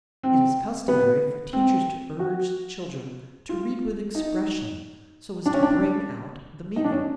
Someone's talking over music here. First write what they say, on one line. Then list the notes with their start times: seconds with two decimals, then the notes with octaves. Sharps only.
It is customary for teachers to urge children to read with expression, so as to bring out the meaning.
0.23 C4
0.88 B3
1.53 C4
2.19 F#4
3.49 F4
4.15 D#4
5.46 D4
5.54 C#4
5.63 D4
6.76 D#4
6.84 D4
6.92 C#4